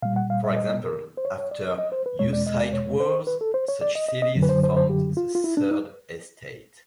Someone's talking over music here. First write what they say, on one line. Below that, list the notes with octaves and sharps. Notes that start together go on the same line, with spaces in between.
For example, after Hussite Wars such cities formed the Third estate.
A#2 G3 F5
F#5
F5
E5
D#5
A#4
C5
C#5
C#5
D5
D#5
C5
B4
E2 B2 G#3 C#5
D5
D#5
D5
C#5
C5
B4
A4
C5
C#5
D5
D#5
D#5
D#5
F#2 D3 F#3
B4
C5
C5
C5
G4
F4
F4
E4
D4
D#4